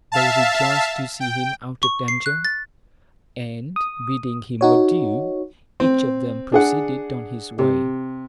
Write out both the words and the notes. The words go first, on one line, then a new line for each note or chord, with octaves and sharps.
They rejoiced to see him out of danger; and bidding him adieu, each of them proceeded on his way.
E5 F5 A5
G5
C#6
C7
F#6
A6
D#6
D#4 F#4 C#5
C4
D4 G#4 F#5
C3